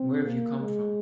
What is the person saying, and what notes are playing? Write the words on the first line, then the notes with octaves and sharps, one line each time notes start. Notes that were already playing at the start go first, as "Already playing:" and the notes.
Where have you come from?
Already playing: C4
A#3
G#3